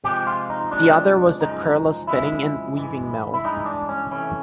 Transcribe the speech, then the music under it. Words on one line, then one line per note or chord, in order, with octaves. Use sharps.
The other was the Kurla Spinning and Weaving Mill.
C3 F3 G#3 G4
F4
D#4
C3 F3 G#3 D4
F#2 C#3 F3 G#3 D#4
F#2 C#3 F3 G#3 E4
G2 E3 G#3
E4
G2 E3 G#3 D#4
D4
C#4
C3 E3 A3 C#4